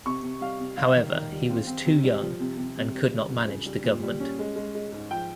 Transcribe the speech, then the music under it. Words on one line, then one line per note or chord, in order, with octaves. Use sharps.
However, he was too young and could not manage the government.
C3 C#6
C3
G3 F5
C3
G3 F5
D#3
D#3
G3
C4
C4
C3
G3
F3
C3
C3
C3
G3
C#3
F2
C#3
G3
A#2
G3
C#4
G#3
G#3
G#3
G#2
F3 G5